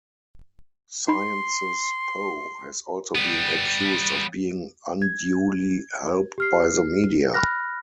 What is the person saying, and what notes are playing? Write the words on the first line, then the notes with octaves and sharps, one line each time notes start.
Sciences Po has also been accused of being unduly helped by the media.
D#4 B5 C6
G3 B3
G#6
G4 F6 C7
B5 F6 F#6 A#6